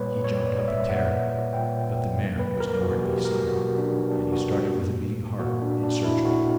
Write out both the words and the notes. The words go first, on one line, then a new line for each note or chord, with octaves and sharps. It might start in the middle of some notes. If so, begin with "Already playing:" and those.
He jumped up in terror, but the mare was nowhere to be seen, and he started with a beating heart in search of her.
Already playing: A#2 G3 A#3 B4 C#5
A#2 G3 A#3 C#5
D5
E5
A#2 G3 A#3 F#5
A#2 G3 A#3 G5
B2 F#3 A#3
B4
A#4
B2 F#3 A#3 F#4
G4
A#4
B2 F#3 A#3 F#4
D4
B2 F#3 A#3 D4
F#4
A#2 A#3
A#2 A#3 F#4
D4
D4
A#2 A#3 E4
F#4